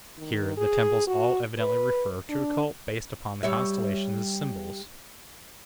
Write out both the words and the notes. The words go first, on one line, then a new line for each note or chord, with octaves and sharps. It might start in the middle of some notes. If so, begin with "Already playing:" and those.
Here the temples all evidently refer to a cult based upon the constellations as symbols.
D#3
G#4
F#4
B4
D4
G3 C#5 E5